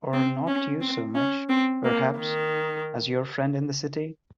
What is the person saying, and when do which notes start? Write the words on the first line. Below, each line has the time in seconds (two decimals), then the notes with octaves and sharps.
Or not you so much, perhaps, as your friend in the city?
0.13 C4
0.47 C#4
0.81 C4
1.15 C#4
1.49 C4
1.84 A#3
2.18 D#3